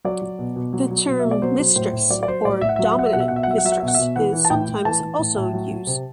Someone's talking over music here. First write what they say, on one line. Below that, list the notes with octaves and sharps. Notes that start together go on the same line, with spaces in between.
The term "mistress" or "dominant mistress" is sometimes also used.
F#3 D5
F#3
B2
B2
F#3
F#3
B2
E5
B2
D5
F#3 C5
F#3
A2 C5
A2
F#3 D5
D5
F#3 C5
A2 D5
A2 E5
F#5
E5
F#3
F#5
E5
F#3 F#5
E5
B2 F#5
E5
B2 F#5
E5
F#5
F#3 E5
F#5
F#3 E5
F#5
E5
B2
F#5
B2 E5
E3 F#5
E3
A5
A2 G5
A2
E3 A5
E3
A2
A2
F#3
F#3
C3